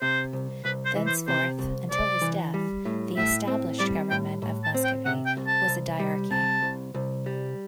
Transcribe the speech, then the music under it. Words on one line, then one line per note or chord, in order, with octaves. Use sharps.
Thenceforth, until his death, the established government of Muscovy was a diarchy.
C3 C5
C2
C2 B4
C5
E3
C5
C3 C5
C2
C2 D5
E3
G3
A2
A2 E5
C4
G3 D5
A2 G5
A2
A5
C4
G5
C3 F#5
G5
C2
A5
C2
G3
C3 A5
C2
C2
G3